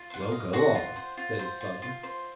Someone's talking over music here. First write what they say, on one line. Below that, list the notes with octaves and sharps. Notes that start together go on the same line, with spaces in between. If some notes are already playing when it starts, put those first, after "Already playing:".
"Well, go on," said his father.
Already playing: F4
C5 F#5
F5
D#5
F#4 C5 F#5
F4
C5
F4
C5
F4
F4
C5